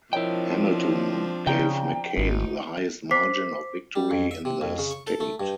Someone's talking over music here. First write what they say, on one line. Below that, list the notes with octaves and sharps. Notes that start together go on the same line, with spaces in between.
Hamilton gave McCain the highest margin of victory in the state.
F3 C4 D4 E4 A#4 C#5 D#5 G5
C#3 D5 G5 A#5
G#1 D#4 E4 F#4
C5 D6 B6 C7
G3
F2
E5
C3
F2
C#3
C#6
A4
A3
G2